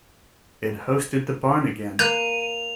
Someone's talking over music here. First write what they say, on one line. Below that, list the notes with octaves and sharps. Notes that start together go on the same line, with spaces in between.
It hosted the Barn Again!
A#3 F#6 D#7 F7